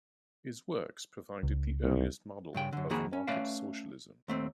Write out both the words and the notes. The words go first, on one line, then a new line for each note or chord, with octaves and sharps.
His works provided the earliest model of market socialism.
C#2
C2
G2 C#3 G5
F#2 D3
F2 D#3 A#3 F#4 G#4 B5
C#4
A3 C#4 B4 D5 E5 F5
D#2 A3 C4